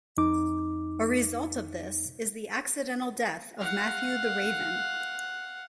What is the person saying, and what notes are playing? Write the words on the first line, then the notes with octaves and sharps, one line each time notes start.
A result of this is the accidental death of Matthew the Raven.
F2 D#4 D6
F5 F#5